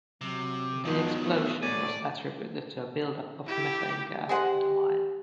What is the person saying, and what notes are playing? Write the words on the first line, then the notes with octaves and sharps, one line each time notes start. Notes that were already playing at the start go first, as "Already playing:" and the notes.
The explosion was attributed to a build-up of methane gas in the mine.
C3 F#3
D#3 F3 F#3 G#3 B3
A3
A3 C#5 D5 G#5
E4 G4
G#3 G4 C5 F#5